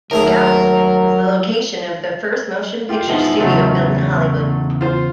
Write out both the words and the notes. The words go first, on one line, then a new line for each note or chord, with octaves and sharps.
Gower Street was the location of the first motion picture studio built in Hollywood.
D#2 F#3 A3 G#4 A#4
F4 G4
F3 B3 D#4 E4 G#4
E2 C#3 F#3 A3 F4
F4 C5